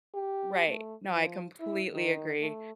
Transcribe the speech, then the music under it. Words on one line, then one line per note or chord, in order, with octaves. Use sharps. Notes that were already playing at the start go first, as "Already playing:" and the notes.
Right, no, I completely agree.
G4
A3
F3
E4
D#3
A3